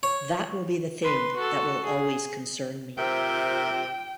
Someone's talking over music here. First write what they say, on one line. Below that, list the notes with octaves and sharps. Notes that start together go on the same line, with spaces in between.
That will be the thing that will always concern me.
C#5
B4 C6
F#4 A4
G#4
C3 F4 A#4 C5 E5 G5